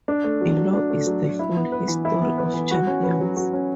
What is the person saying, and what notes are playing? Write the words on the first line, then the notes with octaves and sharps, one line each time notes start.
Below is the full history of champions.
D4
A3
F#3
F#3
D4
A3
F#3
F#3
E4
B3
B4
E3
E4
B3
B4
E3
F#4
C#4
B4
F#3
F#4
C#4